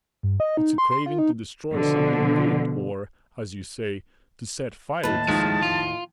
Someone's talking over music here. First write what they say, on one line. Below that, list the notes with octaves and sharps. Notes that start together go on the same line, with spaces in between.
It's a craving to destroy something good or, as you say, to set fire to something.
G2
D#5
D#4
C6
C6
F4
D#4
B2 D3 F3
D#2 A2 B4 A5
D#3 F3 G#3
F4